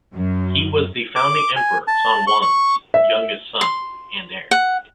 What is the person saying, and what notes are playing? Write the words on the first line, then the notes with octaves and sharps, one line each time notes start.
He was the founding emperor Sun Quan's youngest son and heir.
F#2
D6
G#5
A5
C#6
C#6
E5
C6
F#5